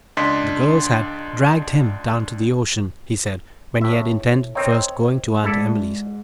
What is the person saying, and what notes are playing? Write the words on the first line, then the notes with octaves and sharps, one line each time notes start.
The girls had "dragged him" down to the ocean, he said, when he had intended first going to Aunt Emily's.
C#2 D4 D#5 C6 B6
A2 E5
D#3 C4 D#4 C#5
G#2 E4 A4 D5